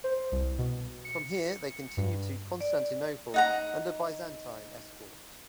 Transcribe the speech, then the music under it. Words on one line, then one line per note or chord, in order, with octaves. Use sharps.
From here they continued to Constantinople under Byzantine escort.
C5
C2
B2
C#7
G2
D5
D#4 F#5 A#5